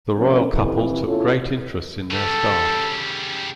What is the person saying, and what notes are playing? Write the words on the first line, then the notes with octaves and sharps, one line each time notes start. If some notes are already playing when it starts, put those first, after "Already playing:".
The royal couple took great interest in their staff.
F3 A3 A#3 C4 C#4
F2 C3 E3
E2 A3 C#4 E4 F4 A4
C#3 G3 A4